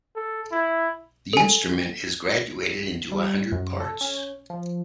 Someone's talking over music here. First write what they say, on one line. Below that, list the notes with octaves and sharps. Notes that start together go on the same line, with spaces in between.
The instrument is graduated into a hundred parts.
A4
E4
A4 G#5
G3
F#2
A4
C#4
F3